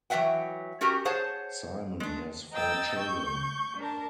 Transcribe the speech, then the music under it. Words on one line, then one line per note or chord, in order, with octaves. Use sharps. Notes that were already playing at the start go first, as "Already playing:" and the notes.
Simon has four children.
E3 F#3 E5 F#5 G5
C#4 F#4 G4 A#4
G#4 C5 C#5 F#5 A5
G#3 D4
D#5 G5 A#5 E6 A6
C#6 G6
D4 A#4 A5